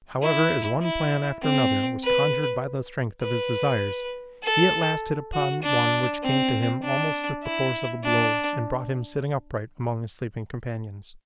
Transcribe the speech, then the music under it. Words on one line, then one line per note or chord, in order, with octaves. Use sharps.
However, as one plan after another was conjured by the strength of his desires, he at last hit upon one which came to him almost with the force of a blow and brought him sitting upright among his sleeping companions.
E4
E4
C4
B4
B4
A4
F#4
D4
C4
D4
E4
D4